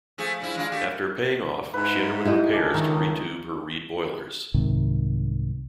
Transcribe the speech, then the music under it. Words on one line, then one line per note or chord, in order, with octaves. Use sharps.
After paying off, she underwent repairs to re-tube her Reed boilers.
F3 A3 G#4
G2 F3 E4
G#3 D4 F4
A3 G4
G#2 B4 E5 A#5
E4 G4 D#5
C#2 G#3 D4
D#3 A3 D#4 A4
C2 G#2 C3 D#3